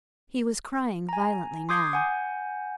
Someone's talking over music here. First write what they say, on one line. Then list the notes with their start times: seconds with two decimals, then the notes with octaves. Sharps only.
He was crying violently now.
1.09 G#5 A#5
1.69 C6 D6 D#6 G6 G#6 C7
1.93 F#5 G#5 G6